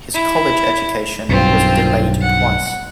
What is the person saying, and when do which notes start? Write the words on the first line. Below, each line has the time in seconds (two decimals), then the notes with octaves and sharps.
His college education was delayed twice.
0.14 E4
1.29 B1 G2 C4 F4
2.21 F#5